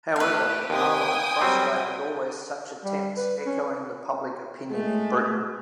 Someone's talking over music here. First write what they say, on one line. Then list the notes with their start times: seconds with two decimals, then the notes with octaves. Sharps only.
However, the Parliament frustrated always such attempts, echoing the public opinion in Britain.
0.16 A3 G4 B4 F5
0.70 D#2 C3 G5 G#5 D#6
1.41 F#3 G3 C4
2.84 G3
3.17 B4
3.46 C#4
4.71 G#3 A3